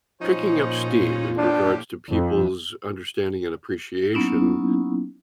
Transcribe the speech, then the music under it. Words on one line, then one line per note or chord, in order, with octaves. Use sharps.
picking up steam in regards to people's understanding and appreciation
A#2 F3 C#4 D#4 C5
F4
A2 F3 D4 G4
F2
F#3 A#3 B3 C#4 D#4 E4